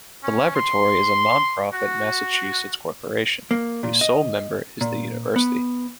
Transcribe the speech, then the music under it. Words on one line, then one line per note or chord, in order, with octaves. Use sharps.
The Laboratory is a non-profit Massachusetts corporation, whose sole member is the university.
C#4
C6
F#4
A#3
A#2
D#5
A#2
B3